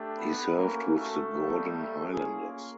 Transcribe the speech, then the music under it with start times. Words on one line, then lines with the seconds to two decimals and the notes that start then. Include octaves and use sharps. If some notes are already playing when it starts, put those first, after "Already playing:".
He served with the Gordon Highlanders.
Already playing: A3 D4 G4
0.16 B3 B4
0.55 A3 A#3 C#4 F#4 A#4
0.95 A3 A4
1.34 G3 A#3 D#4
1.73 A3 A4
2.12 A#3 C#4 F4 G#4